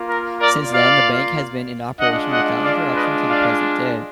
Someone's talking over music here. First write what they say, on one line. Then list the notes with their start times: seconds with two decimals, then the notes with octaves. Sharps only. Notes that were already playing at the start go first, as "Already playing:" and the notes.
Since then the bank has been in operation without interruption to the present day.
Already playing: A#3 F4
0.08 A#4
0.40 A#4 D5
0.72 D5 F5
2.00 G#3 D4 F4 D#5 F#5
2.32 D#5 F#5
2.63 D5 F5
2.95 B4 D#5
3.27 D5 F5